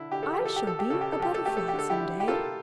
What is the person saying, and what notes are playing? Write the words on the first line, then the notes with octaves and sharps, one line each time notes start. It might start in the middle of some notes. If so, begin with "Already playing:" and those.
"I shall be a Butterfly some day!"
Already playing: D3 E4
D3 G4
A4
G4
F3
A4
G4
F3 A4
G4
C#3 A4
G4
A4
F3 G4
A4
A3 G4
A4
G4
D3
A4
E4 G4
D3
G4
A#3 F4 A4